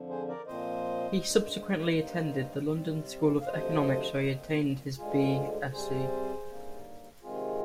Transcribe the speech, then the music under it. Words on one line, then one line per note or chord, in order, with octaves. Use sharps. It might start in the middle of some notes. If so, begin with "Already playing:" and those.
He subsequently attended the London School of Economics where he obtained his B. Sc.
Already playing: F2 D3 F3
G#4 C5
A#4 D5
A#2 F3 C4 C5 D#5
G2 D3 G#3
G2 D#3 G3 A#3
C3 G3 C4
F5
D2 C3 F3 C5 D#5
A#2 F3 C4
D2 D3 G#3 F4 G#4
C3 G3 C4 G#4 C5
D#2 D3 G3 A#3
C3 D#3 G#3 C4 F4 G#4